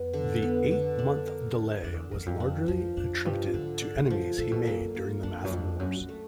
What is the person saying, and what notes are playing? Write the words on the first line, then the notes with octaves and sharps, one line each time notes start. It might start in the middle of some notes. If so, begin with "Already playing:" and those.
The eight-month delay was largely attributed to enemies he made during the Math Wars.
Already playing: F2 B3
D3
B3
D3
D4
A#4
D4
F2 D4
E2
E2 A#4
F2
D4
F2 F3
F2 D4
G2 F3
G#2 D3
D4
A2
F3
A#2 A4
B2
A#2 A#3
F#2
A#3
E2 D4
F#2
F2 D4
F#2 F#4
F#2
A3